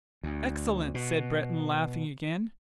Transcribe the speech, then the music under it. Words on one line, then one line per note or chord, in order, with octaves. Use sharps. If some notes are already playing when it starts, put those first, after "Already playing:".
"Excellent!" said Breton, laughing again.
D2
B2